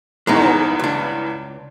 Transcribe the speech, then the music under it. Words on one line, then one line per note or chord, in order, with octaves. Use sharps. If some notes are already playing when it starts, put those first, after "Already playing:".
Oh, there okay, got it.
E2 G2 E3 G#3 B3 D#4
C#2 D4